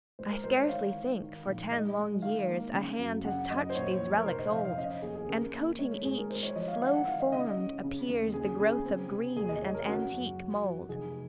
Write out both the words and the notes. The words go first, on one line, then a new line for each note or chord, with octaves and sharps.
I scarcely think, for ten long years, A hand has touched these relics old; And, coating each, slow-formed, appears The growth of green and antique mould.
G#2 C5
A#4
G#2 C5
C#5
D#3 F5
D#3
D#3
A#1
G#3 D#5
G#3
D#3 F5
A#3
C#3
F#2
C#3 F#5
F#2 D#5
C5
A#2 C#5
A#1
A#4
F1 C5
D#5
F2 F5
F5
C#4 D#5
D#2 G#4
G#4
C#3 A#4
A#3
G#3 C#5
G#1 G#4
A#4
G#2 C5
C#5
F3 D#5
F5
D#3 F#5
F#5
D#3 F5
D#5
C#3 D#5
C#4
C#3
D#2
C#3 G#4
C#3 G#4
C4
C3
D#2 G#4
D#5
D#2 C#5
A#4
C#3 F#4
F#2
F#3
F#3
F1 G#4